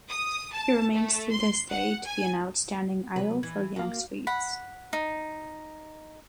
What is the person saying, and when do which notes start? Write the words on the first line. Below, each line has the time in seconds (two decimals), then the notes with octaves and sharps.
He remains to this day to be an outstanding idol for young swedes.
0.11 D#6
0.53 A5
0.94 A3
1.31 C6
1.70 F#5
2.05 G#5
3.16 C3 F#3 B4
3.43 E3 G#6
3.76 A#3 F#4 F5
4.27 F#5 B5
4.93 D#4